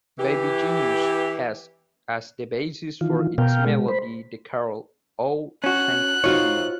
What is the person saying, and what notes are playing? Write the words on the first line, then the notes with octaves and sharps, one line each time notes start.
"Baby Genius" has, as the basis for its melody, the carol "O Sanctissima".
E3 G4
D#3 E3 F4
B2 A#4 F5 G5
G#3
C5 B5
C#4 F#4 F#6
D#4 F4 F#4 C5 C#5